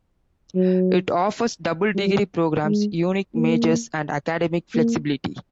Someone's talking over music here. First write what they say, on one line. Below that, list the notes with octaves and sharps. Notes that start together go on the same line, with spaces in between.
It offers double degree programs, unique majors, and academic flexibility.
F#3
G3
G#3
A#3
A#3